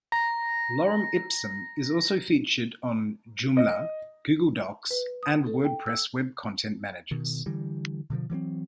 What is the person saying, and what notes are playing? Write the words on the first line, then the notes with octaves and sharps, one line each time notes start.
Lorem ipsum is also featured on Joomla!, Google Docs, and WordPress web content managers.
A#5 A#6
D#5
B4
D#6
A4
G5
E6
B2 D#3
D3 E3 G3
B2 D3 E3 F3
E3 F#3 A#3 C4